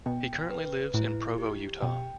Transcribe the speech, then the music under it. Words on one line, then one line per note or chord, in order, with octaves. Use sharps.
He currently lives in Provo, Utah.
B2 G5
B4
A2 E4
G4
B2 G5